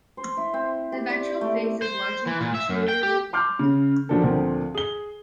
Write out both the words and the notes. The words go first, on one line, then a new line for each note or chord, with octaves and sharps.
The ventral face is largely punctuated with black.
C5
E4
C4
G4
D5
A3
C5
E3
A#2
E5
F#2
G5
G4
C6 D6 F6 G6
C#3
A#2 D3 F3 D4 F#4 A4
D2 A#2 F3 C4
G#4 G7